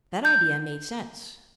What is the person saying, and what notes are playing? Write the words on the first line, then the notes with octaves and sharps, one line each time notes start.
That idea made sense.
G6